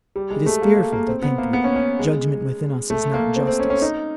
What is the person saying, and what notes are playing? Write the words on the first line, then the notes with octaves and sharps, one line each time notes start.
It is fearful to think that judgment within us is not justice.
G3
G#3
A3
A#3
A#3
A#3
C4
B3
A#3
B3
C#4
C#4
G#3
A3
A#3
C4
C4
C#4
C#4
D#4